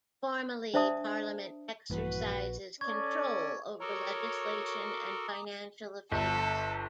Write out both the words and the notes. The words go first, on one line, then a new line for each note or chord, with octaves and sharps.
Formally, Parliament exercises control over legislation and financial affairs.
D4 C5 D5 E5 A5 D#6
A#1 G2 A#2 E3 F#4 B4
C#4 A4 D5 C#6 G#6
F#4 A4 A#4 C#5 A#5 D6 D#6
G1 A4